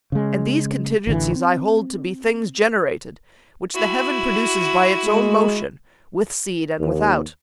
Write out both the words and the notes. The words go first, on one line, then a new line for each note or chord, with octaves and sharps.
And these contingencies I hold to be Things generated, which the heaven produces By its own motion, with seed and without.
C#3 G#3
A1 D3 E3
C4
E4 F#4
G#3
D#2